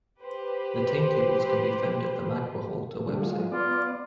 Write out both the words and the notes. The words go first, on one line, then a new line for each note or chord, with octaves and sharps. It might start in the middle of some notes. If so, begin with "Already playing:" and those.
The timetables can be found at the Matkahuolto web site.
G4 B4 C5
D3 G3 A3
F#3 G#3 F4
B3 F4 D5